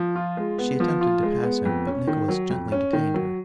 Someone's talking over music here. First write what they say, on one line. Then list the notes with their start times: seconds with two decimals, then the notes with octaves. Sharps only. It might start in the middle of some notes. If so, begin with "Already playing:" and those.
She attempted to pass him, but Nicholas gently detained her.
Already playing: F3
0.16 F4
0.37 G#3
0.58 B3
0.80 F3
1.01 F4
1.23 G#3
1.43 B3
1.65 F2
1.87 C#4
2.07 D#3
2.28 F#3
2.50 F2
2.72 C#4
2.93 D#3
3.14 F#3